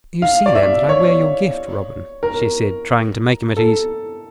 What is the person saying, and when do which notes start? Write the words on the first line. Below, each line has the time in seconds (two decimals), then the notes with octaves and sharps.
"You see then that I wear your gift, Robin," she said, trying to make him at ease.
0.22 F5
0.46 D5
0.55 E5
0.89 C#5
2.23 A#4
3.57 A4